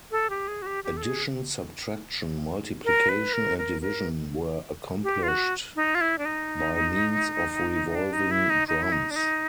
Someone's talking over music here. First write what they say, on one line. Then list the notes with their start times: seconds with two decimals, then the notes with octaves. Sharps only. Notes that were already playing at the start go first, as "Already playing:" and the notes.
Addition, subtraction, multiplication, and division were accomplished by means of revolving drums.
0.11 A4
0.30 G4
0.48 G#4
0.62 F#4
0.66 G4
0.84 G4
0.97 A4
1.03 G#4
2.85 A#4
3.09 B4
3.33 A#4
3.58 A#4
3.82 A#4
5.03 G4
5.23 F4
5.28 F#4
5.76 D#4
5.95 F4
6.01 E4
6.18 D4
6.25 D#4
7.95 D4
8.13 D#4
8.31 E4
8.50 D#4
8.68 D#4
8.83 E4
8.92 D#4
9.11 D4
9.16 D#4